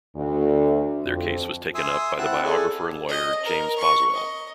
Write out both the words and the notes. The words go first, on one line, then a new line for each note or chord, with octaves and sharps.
Their case was taken up by the biographer and lawyer, James Boswell.
D2
F2
E5 G#5 C6 D#6 E6
C4 E4 E5 F#5 A5 F#6
G#4 A4 D5 G#5
D#5
A#4
C#6
D#5